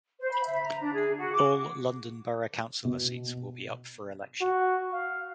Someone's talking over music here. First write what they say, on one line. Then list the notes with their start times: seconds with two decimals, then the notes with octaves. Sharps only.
All London borough councillor seats will be up for election.
0.20 C5
0.32 B5
0.43 E5
0.65 A#5
0.82 D4
0.94 G#4
1.17 F#4
1.32 D6
2.85 B2
4.41 F#4
4.93 F5